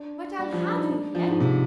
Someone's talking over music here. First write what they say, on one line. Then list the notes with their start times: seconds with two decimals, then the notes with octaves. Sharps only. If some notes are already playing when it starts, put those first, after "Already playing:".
'But I'll have you yet.
Already playing: D4
0.39 G3
0.52 F3
0.65 D4
0.77 D#4
0.89 D4
1.15 F3
1.27 G#2
1.40 C3